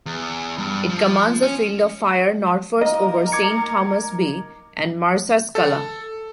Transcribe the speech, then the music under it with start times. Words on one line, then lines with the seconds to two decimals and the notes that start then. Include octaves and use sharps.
It commands a field of fire northwards over Saint Thomas' Bay and Marsaskala.
0.06 E2
0.58 G2
0.89 F3
1.42 C#4
2.81 A#3 D#4 A#4 D#5
3.32 D6 G#6 C#7
5.55 A4